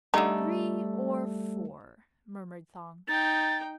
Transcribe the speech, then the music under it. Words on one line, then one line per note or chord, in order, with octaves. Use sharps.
"Three or four," murmured Thong.
D3 G3 A3 D#4 A4
D#4 G5 A6